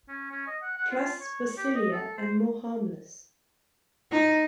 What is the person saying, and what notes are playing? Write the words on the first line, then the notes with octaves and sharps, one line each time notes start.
Plus we're sillier and more harmless.
C#4
C#4
D#5
F#5
F#5
F4
C#5
G4
D#5
A4
C5
D#4